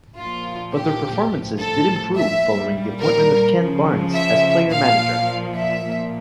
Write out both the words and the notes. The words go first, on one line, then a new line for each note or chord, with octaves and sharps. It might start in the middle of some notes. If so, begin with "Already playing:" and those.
But their performances did improve following the appointment of Ken Barnes as player-manager.
A#2 F3 F4
G4
A2 F3
A4
E5
A#2 G3
A#4
C#3 F3
E5
A#2 F3 F5
E5
A#2 F3